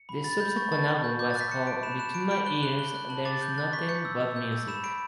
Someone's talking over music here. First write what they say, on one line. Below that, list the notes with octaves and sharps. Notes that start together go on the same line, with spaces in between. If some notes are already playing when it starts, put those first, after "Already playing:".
The subsequent album was called "Between My Ears There Is Nothing But Music".
Already playing: C#7
B5
B5 A6
B5 G6
C#6 A6
A5 A6
C#6
G6
D6 G6
F#6 A6
B6
A5 C#7
F#6 D7
B5 E7
F#6 E7
B5 D7
B5 D7
F#6 G7
F#6 F#7
F#6 G7
F#6
A5 F#7
D6 A6
F#6 G6
F#6 A6
C#6 B6
G6 C#7
E6
E6
G6
E6
B5 E7
B5 D7